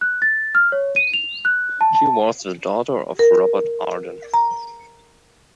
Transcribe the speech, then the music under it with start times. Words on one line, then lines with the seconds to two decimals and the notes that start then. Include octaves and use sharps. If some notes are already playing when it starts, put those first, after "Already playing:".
She was the daughter of Robert Arden.
0.01 F#6
0.22 A6
0.55 F6
0.72 C#5
0.96 D#7
1.13 F7
1.45 F#6
1.81 A5
1.95 A5
3.19 A#4
4.34 A#5